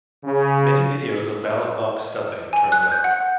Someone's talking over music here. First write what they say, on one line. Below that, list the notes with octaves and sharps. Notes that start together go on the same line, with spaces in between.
Many videos of ballot box stuffing turned up.
C#3
G#5
F#6
G6
F#5